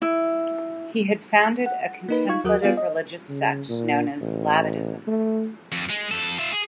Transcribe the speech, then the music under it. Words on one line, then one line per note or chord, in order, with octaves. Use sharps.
He had founded a contemplative religious sect known as Labadism.
E4
F#5
A#3 D#4 B4
D#4 F4 F5 C#6 G#6
D#2 F#3 F#4 A#4 D#6 F#6
G3 B3 F4 G#4 D5 F5
D#5
C#3
A#2
A1
A3
F2
G#3
F2 A4
F4 E5
G#4